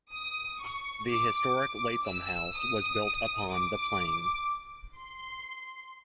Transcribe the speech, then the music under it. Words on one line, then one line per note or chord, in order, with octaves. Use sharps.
The historic Lathom House was built upon the plain.
D#6
C#6
D6
E6
D#6
D6
C6